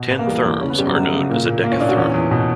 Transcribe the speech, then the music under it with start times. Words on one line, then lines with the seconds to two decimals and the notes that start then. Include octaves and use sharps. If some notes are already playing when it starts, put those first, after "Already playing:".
Ten therms are known as a decatherm.
Already playing: B2
0.10 B2 B3
0.19 A#3
0.27 E2 G3
0.44 E2 A#3
0.61 C#3 C#4
0.70 B3
0.78 F#2 G3
0.87 F#3
0.95 F#2 G3
1.13 C#3
1.29 A#2 A#3
1.46 A#2
1.63 A#2 A#3
1.72 C#4
1.80 A#2 D4
1.89 F#4
1.97 E2 C#4
2.14 E2
2.31 B2